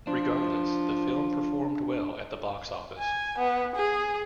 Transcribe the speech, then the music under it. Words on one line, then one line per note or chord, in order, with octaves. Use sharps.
Regardless, the film performed well at the box office.
F3 D4
G#5
B3
G#4